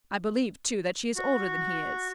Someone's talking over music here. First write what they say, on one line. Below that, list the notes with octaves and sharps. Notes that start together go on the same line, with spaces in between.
I believe, too, that she is older than he is.
F#4